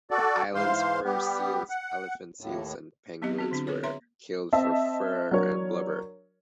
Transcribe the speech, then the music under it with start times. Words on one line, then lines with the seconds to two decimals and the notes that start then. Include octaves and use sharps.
The island's fur seals, elephant seals and penguins were killed for fur and blubber.
0.11 F#4 A4 D5
0.55 G#2 E3 C5 F5 C6
1.05 G3 B3 G4
1.69 F#5
2.41 D#2 A2
3.22 F#3 B3 C4 G4 D#5
3.39 C4 F#4 G#4
3.51 D3 C4 D4
3.67 F4 G#4 B4 C#5
3.83 C#5 E5 A#5 C6
4.53 C4 D#5 E5 A5
5.31 F#3 D4 A#4 C#5